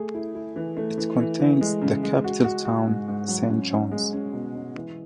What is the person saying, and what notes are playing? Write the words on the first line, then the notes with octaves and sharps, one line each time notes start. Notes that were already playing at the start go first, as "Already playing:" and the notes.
It contains the capital Town, Saint John's.
Already playing: A3 G#4
E4
E4
E3
A3
E3
E3
E3
G#3
C#3
G#3
F#4
F#4
F#4
G#2
G#2
F#3
C#4
C#4
G#3
C#4
B2
C#4
E3